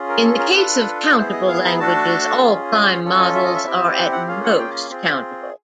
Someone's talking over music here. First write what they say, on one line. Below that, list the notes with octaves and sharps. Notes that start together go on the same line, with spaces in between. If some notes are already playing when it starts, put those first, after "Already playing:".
In the case of countable languages, all prime models are at most countable.
Already playing: C#4 F4 G#4
A#4
A4
A#4
D4 F4 A4 B4
B3 E4 G#4 C5
D#5
F5
A#5
A3 D4 F#4 A4 A5
C#4 F4 G#4
G#5
F5
C#4 F4 A4
D#5
E5
D#5
E5
C4 E4 G4
F#5
F#5
A#3 C#4 F4 G#4 F5
F#5
G5
C4 F4 G#4